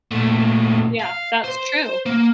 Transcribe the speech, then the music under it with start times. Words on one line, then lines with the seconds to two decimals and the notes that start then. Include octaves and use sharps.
Yeah, that's true.
0.11 A#2 A3
1.00 F5
1.44 C5
2.06 A#3